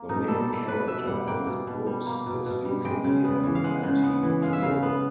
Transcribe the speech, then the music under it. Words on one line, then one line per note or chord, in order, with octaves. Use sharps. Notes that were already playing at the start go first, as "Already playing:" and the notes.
The main character in his books is usually an anti-hero.
Already playing: A#3
B2 D#4
G3 A4
A#3 A4
B2 B4
B2 E5
G3 F#5
A#3 G5
B2
B2
G3
A#3
B2
B2
G3
G#3 G5
C#3
B3
E3
F5
G#3 F#5
C#3
B3
E3
G#3 F5
E5
C#3 F5
B3